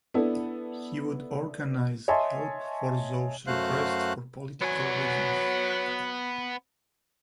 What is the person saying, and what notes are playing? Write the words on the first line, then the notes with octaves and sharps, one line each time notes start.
He would organize help for those repressed for political reasons.
B3 D4 E4 A4
C#5 D#5 E5 G#5 A5 C6
F#2 A3 F#4 C5 F5 F#6
F#3 B3 G#5